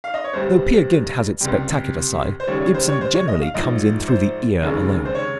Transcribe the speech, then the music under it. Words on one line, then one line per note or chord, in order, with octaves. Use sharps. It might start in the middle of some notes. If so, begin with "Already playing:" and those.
Though Peer Gynt has its spectacular side, Ibsen generally comes in through the ear alone.
F5
D#5
C#5
G1 G2 G3 C5
C#2 C3 G3
C5
D#2 C#3 G3 C#5
C#5
C5
C#5
C5
C#5
D#5
F5
A#1 G#2 F3 D#5
C5
F1 D#2 C#3 G#3
C5
C#5